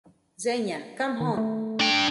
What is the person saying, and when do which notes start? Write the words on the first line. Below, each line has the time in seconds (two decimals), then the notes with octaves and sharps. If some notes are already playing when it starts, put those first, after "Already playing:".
Zhenya, come on!
1.20 D#3
1.37 A3
1.80 D4 G5